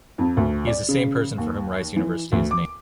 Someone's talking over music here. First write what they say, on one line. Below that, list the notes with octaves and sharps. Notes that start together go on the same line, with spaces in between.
He is the same person for whom Rice University is named.
F2
D2
D5
C#3
D#2
E3
D2
D6